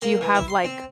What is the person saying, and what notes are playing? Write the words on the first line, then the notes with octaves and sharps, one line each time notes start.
Do you have, like,
A#3
E3
E4
C6
C4